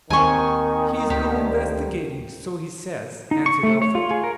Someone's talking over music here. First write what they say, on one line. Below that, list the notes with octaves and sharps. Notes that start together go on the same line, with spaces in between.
"He's been investigating--so he says," answered Elphick.
D#2 D#3 G3 C4 G#5 C#6
D2 G4
D#4
C#6
A3
C#5
F4
G#4
A#4